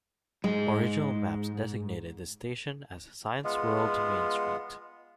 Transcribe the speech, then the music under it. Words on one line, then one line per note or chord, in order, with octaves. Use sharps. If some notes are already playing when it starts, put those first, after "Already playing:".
Original maps designated the station as "Science World-Main Street".
G#2 G#3
G#3 B3 F4